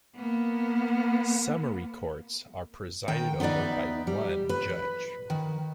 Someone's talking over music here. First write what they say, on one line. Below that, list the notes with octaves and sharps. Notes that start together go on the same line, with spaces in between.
Summary Courts are presided over by one judge.
A#3 B3
D#3 G5
B3 D#4 B4 D5 E5
G3
B4
D#3